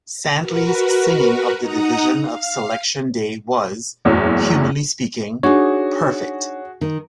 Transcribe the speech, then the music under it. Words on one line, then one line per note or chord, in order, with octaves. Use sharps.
'Santley's singing of the division of Selection Day was, humanly speaking, perfect.
F#4 A#4 B4
D#4 F#5 A#5 D#6
F5
F#1 E2 A2 F#3
D4 D#4 F#4 G#4 C#5
D#3